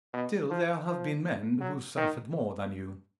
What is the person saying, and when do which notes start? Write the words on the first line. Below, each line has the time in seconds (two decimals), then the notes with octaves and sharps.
"Still, there have been men who suffered more than you."
0.13 B2
0.50 F3
0.87 F3
1.61 F#3
1.97 D#3